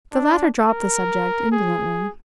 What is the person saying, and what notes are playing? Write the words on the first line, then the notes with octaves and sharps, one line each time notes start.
The latter dropped the subject indolently.
D4
A#4
G#4